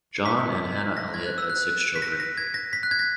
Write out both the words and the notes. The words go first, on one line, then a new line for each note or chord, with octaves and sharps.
John and Hannah Eliot had six children.
B6
A#6
G#6
F#6
E6
F#6
B6
A#6
A#6
G#6
A#6
B6
F#6
G#6
A#6